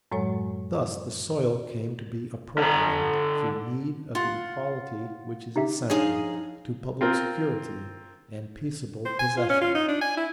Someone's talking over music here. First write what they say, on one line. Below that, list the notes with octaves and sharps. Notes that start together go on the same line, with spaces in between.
Thus the soil came to be appropriated through need of the equality which is essential to public security and peaceable possession.
F#2 A2 F#3 G#3 C#5
D3 A#5
F4 F#5
D#4 G4 E5
F3 D4 D#4 G#4 C#5 F5 D#6
C4 F4 A#4 C5
C5
G#5
F4
C#4
F4
D#4
D4
G#5
E4